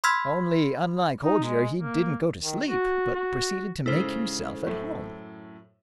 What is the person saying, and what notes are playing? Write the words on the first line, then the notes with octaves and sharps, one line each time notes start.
Only, unlike Holger, he didn't go to sleep, but proceeded to make himself at home.
B5 C6 E6 F6 G#6 B6
D#4
G#3
A#3
D#3
F#4
F#4
G#2 C#3 E4 A4 C5
F#2 A2 A3